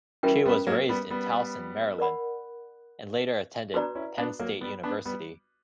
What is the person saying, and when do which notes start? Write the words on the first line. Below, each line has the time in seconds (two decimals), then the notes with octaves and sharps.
She was raised in Towson, Maryland, and later attended Penn State University.
0.23 E3 G3 C#4 F#4 A#4 E5 G5
0.45 G3 B3
0.67 F#3 A#3
0.89 G3 B3
1.10 G3 B3
1.99 A#4 D5 F#5 B5
3.74 B3 D4 F#4 B4 D5 A#5
3.95 C#4 E4
4.17 B3 D4
4.40 F#3 A#3
4.61 G3 B3
4.83 B3 D4
5.05 G3 B3